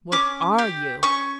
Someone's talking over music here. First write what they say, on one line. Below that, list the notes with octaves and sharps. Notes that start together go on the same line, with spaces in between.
What ARE you?
C#4 D6
G4
C#4 C#6